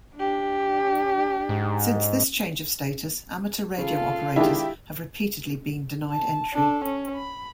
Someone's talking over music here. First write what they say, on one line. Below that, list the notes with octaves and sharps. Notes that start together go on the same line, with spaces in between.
Since this change of status, amateur radio operators have repeatedly been denied entry.
D4 G4
G#2
C#3 F4 A4 F5
D#3 G#3 D4 E4 G4
A5
D4 A4
C#4
B5